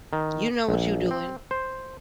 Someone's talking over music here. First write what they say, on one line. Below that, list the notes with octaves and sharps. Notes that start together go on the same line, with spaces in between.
You know what you doing.
D#3
A#1
C4
C5